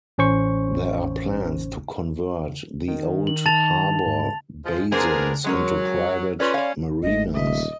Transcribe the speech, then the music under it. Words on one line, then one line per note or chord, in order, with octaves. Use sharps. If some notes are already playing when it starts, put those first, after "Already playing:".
There are plans to convert the old harbour basins into private marinas.
A1 C#4 C5 C#6
D#3
F#7
A5 A6 F7
G#2
F3 G#3
A#3 B3 D4 G#4 A#4 C5
F#3 G#3 C#4 A#4
C#4 F4 B4 D5
D5 F5
G1 A3 D#5
D#1 D#5 E5